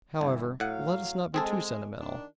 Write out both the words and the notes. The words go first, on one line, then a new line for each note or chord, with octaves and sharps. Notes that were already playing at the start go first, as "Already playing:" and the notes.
However, let us not be too sentimental.
G1 E3 A3 E4
A2 F#3 F5 F#5
G#3 C4 G#4 A4
D#3 D4